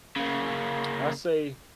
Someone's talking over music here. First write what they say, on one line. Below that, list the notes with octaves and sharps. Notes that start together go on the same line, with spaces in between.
I say
C#3 A#3